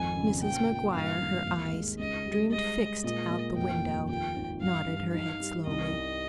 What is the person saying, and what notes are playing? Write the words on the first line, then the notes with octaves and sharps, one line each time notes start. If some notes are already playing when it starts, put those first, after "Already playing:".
Mrs. McGuire, her eyes dreamily fixed out the window, nodded her head slowly.
Already playing: G#1 F2 G#5
C#3
A#2 G5
A#2
G2 F5
G#1
D#2
G#3
C#2 D#5
G3
G#3 D#5
G#3
A#2 D#5
A#2
F1 G5
D#2
F3 G5
G#1
G2 F5
G2
D#4 F5
G3
C2 D#5
C2